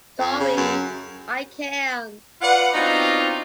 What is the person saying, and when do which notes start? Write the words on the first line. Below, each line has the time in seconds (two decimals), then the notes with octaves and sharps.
Sorry, I can’t.
0.20 F2
0.40 C#3
0.57 F#2
2.42 F4 B4 D5 F#5
2.74 B3 C4 D4 D#4 F4 F#4